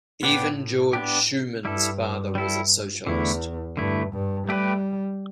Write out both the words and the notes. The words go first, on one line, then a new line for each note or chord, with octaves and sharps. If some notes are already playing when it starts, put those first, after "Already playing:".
Even Georg Schumann's father was a socialist.
A2 B3 D4 G4
B3 D4 G4
G2 G3 E4 A4
G3 E4 A4
E2 D3 A3 E4
G2 D3 A3 E4
G2
G3 A3 G4 B4